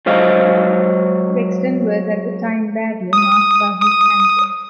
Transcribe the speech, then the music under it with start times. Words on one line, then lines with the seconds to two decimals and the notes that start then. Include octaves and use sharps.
Reksten was at the time badly marked by his cancer.
0.06 F#3 G#3 C5 D#5 F5
3.13 D#6
3.82 D#6